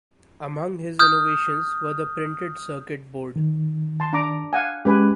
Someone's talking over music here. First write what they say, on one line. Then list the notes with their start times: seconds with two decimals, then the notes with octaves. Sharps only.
Among his innovations were the printed circuit board.
0.99 D#6 F6 G6
3.36 D#3
4.00 A5 C6
4.13 D4 A#5 D6
4.53 F5 F#5 G#5
4.85 G#3 C#4 G4 B4 G#5